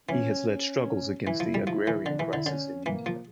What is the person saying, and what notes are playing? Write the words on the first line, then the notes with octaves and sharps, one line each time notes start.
He has led struggles against the agrarian crisis in India.
E3 C#4
C#4
E3 E4
F3
G3
F3 E4
E3
D3 D4
E3 E4
D3 E4
D3 C#4
E3 A#3
F3